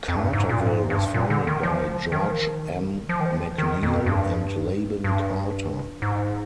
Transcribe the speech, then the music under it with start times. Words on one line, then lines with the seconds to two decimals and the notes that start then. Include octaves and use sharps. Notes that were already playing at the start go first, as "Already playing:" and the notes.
Carterville was founded by George M. McNeill and Laban Carter.
0.08 F2
0.16 G2
0.33 G#2
0.49 A#2
0.60 G2
0.66 G#2
0.90 G2
1.14 A#2
1.30 D3
1.47 D#3
1.63 F3
2.12 D#3
2.21 F3
2.31 D#3
3.09 F3
3.21 D#3
3.26 F3
3.58 D#3
3.83 F2
4.06 G2
5.04 G2
6.02 G#2